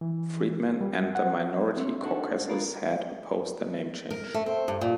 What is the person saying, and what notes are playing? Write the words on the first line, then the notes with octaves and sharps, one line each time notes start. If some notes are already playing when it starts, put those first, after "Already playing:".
Friedman and the minority caucuses had opposed the name change.
E3
G3
F#5
C4 D4 C#5 E5
D4 D#4 F#4 A4
D4 F4 A#4 B4
A#4
A3
C4
G2
A#2